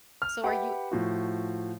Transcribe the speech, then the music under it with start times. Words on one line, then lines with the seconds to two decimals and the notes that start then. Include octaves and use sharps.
so are you
0.22 F6
0.44 G4 B4 E5 F#5
0.91 A2 F3 F#4